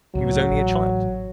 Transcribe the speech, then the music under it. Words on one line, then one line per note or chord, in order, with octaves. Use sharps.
She was only a child.
C#2 A2 F#3
A1